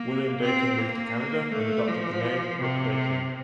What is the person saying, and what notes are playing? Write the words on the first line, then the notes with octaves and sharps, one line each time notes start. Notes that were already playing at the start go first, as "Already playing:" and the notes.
William Daykin, moved to Canada, and adopted the name Brooke-Daykin.
Already playing: A#3
C4
A#3
A3
F3
C3